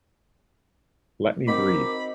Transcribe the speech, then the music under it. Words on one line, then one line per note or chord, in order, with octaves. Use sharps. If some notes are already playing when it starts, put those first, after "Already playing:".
Let me breathe!
C4 D#4 F#4 A#4 B5 D6